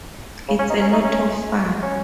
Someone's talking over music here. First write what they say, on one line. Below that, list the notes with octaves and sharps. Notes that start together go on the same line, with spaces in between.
It's a lot of fun.
C#3
C#4
D#4
C#4
D#4
C#4
C#4